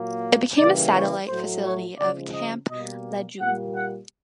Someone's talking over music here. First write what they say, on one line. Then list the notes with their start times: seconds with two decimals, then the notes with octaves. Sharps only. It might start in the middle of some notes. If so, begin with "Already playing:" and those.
It became a satellite facility of Camp Lejeune.
Already playing: A#2 F#3 A#3
0.57 C#3 E3 G3 A#3 D5
0.93 C#5
1.28 A2 F#3 A3 C5
1.63 C#5
1.99 C#3 F3 G#3 D5
2.34 D#5
2.69 B2 G3 A#3 D#5
3.40 A#2 G3 A#3 F#5
3.75 F#5